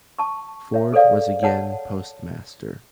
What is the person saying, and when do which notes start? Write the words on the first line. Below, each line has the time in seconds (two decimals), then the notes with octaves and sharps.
Ford was again postmaster.
0.18 A5 C#6
0.74 C#5 E5
0.93 G#4 A4 C5 D5 F5
1.43 C#5 F#5 A5